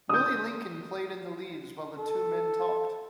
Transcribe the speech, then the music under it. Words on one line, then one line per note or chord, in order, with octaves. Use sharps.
Willie Lincoln played in the leaves while the two men talked.
D#6 G6
A4